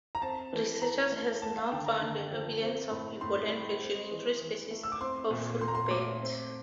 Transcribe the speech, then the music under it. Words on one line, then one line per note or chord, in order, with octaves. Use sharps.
Researchers have now found evidence of Ebola infection in three species of fruit bat.
A#5
C4 A5
E3
E3 A#5
A3
A#3 A5
F5
D3 G5
A#5
D3
F3
C4
A2
A2 C6
G3
C4
E3
E3
A3
E6
D6
C4 C6
A#2
A#2 C6
A#5
C6
A3 D6
C4